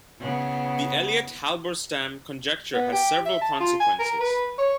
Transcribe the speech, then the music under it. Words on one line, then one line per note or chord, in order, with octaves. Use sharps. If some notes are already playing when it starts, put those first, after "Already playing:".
The Elliott-Halberstam conjecture has several consequences.
C#3 B3 E4
B3
G4
E5
A5
F4
G#5
A#4
B4
C#5